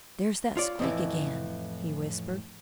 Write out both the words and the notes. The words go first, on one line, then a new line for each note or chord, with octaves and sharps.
"There's that squeak again!" he whispered.
F4 C#5 D5
F2 A2 D3 E3